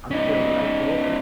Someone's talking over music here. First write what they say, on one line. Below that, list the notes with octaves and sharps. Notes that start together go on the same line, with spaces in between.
I'm sure when I get older,
C#4 D#4